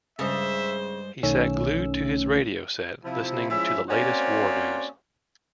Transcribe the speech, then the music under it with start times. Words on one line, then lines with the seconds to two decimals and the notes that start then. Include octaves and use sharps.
He sat glued to his radio set, listening to the latest war news.
0.19 G2 C#3 G#3 C5 E5
1.23 B1 D#3 A3 C#4 E6
3.05 C3 F3 E4
3.50 F3 G#3 C#4 E4 E5
3.89 A#3 C4 C#4 F#4 C5 D5